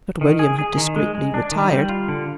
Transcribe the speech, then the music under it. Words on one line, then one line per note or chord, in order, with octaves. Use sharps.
But William had discreetly retired.
D#3
G#4
G#4
D#3
G#3
G#3
D4
D#3
G3
F4
D3